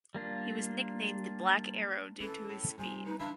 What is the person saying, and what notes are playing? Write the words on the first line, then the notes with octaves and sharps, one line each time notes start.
He was nicknamed the "Black Arrow" due to his speed.
G3 A#3 D4 F4
E3 C#4 A4
A2
C3 G3 G#5
D#4 B4
E3 D4 E4 F5